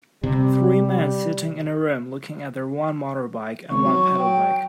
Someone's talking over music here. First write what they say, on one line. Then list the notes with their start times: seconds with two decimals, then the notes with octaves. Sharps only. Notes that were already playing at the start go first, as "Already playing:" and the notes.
Three men sitting in a room looking at their one motorbike and one pedal bike.
0.23 C3 G3
3.70 G#1 C#6
3.85 F#3
4.19 G5